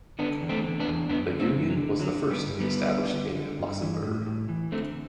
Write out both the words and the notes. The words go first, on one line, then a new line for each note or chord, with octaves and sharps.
The union was the first to be established in Luxembourg.
D3 B3 D4
E2
A3 C4
D3
B3 D4
E2
F#2 B3 D4
D3
A3 C4
F#2
F#3
D3
D3 F#3
D3
G3 B3
G2
G3 B3
D3
D3
D3
D3
G2
E3
A2
A2
E3
D3 A3 C4